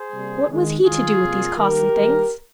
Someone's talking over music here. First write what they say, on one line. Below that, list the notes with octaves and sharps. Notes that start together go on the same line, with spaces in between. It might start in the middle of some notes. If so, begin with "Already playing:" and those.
What was he to do with these costly things?
Already playing: G#4 C5
C3 G3 A#3
D#3 G#3
D#3 G#3 F4 G#4
C3 G3 A#3
D#3 G3 A#3 G4 A#4
D#3 G3 A#3